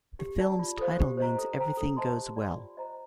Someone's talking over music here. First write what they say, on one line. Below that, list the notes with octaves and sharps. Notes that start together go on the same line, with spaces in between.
The film's title means everything goes well.
G4
D5 A5
F4
A4 C5 F5
G4
C5 D#5 A#5
A4
C5 G5 A#5
A4
C5 D#5 A5 C6
G4
D5 G5 C6
F4
C5 D#5 A#5